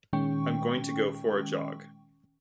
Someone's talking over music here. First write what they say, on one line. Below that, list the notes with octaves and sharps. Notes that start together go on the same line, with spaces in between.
I'm going to go for a jog.
A#2 D#3 G#3 C#4 G5 C#6